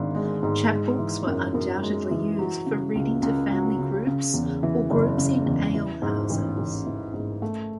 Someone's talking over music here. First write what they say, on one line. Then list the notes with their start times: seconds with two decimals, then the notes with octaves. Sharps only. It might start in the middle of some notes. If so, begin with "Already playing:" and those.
Chapbooks were undoubtedly used for reading to family groups or groups in alehouses.
Already playing: G#1 G#2 D4
0.15 G#3
0.43 G#2
0.71 G#3
0.99 E3
1.27 F#2
1.54 F#2
1.83 G#3
2.11 E3
2.39 F#3
2.66 C#3
2.95 C#2
3.22 C#2
3.51 F#3
3.79 C#3
4.07 C#3
4.34 E2
4.63 E3
4.91 F#1
5.18 C#3
5.46 E2
5.74 E3
6.02 G#2
6.30 A1
6.58 A1
6.86 E3
7.14 G#2
7.42 A3